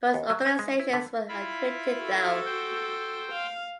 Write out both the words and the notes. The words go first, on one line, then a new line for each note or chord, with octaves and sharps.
Both organizations were acquitted, though.
D#2
F#3
C4
G#3
E4
D3
E4 F4 B5
F#4 A4
C5 G5
F5